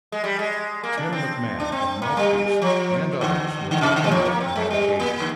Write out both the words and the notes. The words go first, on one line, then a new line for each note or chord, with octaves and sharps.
Tim McMahon of Mouthpiece and others will take the mic in that occasion.
G#3
G3
G#3
A#3
D4
C4
D4
C4
A#3
G3
F3
D3
D3
C3
D3
G3
F3
A#3
C4
G#3
G3
A#3
D3